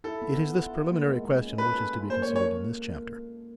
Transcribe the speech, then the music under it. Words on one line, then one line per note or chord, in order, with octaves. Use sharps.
It is this preliminary question which is to be considered in this chapter.
E4 A4
B3
B3
F4
F4
A#3
G#3
G#3
C#4
A4 B4
F4
F4
A#3 C5
C#5
A#3
C#5